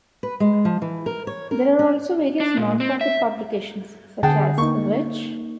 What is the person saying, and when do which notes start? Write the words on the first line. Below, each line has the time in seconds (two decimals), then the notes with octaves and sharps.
There are also various non-profit publications, such as Which?
0.23 B4
0.40 G#3
0.65 F3
0.82 E3
1.06 A#4
1.27 C#5
1.51 A#4
1.79 C#4
2.40 D4
2.57 A#2
2.80 C4
3.01 E5
4.23 D3 G#4 F#5 G5 A5
4.58 A#3 D#4 C#6